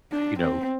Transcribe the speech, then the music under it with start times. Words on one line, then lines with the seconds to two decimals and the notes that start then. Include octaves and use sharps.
you know,
0.12 D4
0.40 C4